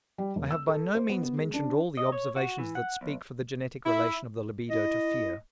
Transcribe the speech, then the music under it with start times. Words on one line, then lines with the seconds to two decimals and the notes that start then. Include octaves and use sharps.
I have by no means mentioned all the observations that speak for the genetic relation of the libido to fear.
0.18 G3
0.36 E1
0.51 E6
0.68 A4
0.95 C5
1.09 B3
1.23 B3
1.37 G#3
1.54 D4
1.97 D#5
2.12 C#5
2.36 F#4
2.58 E3
2.75 F#5
3.01 B1
3.86 E4
4.70 E4 D#5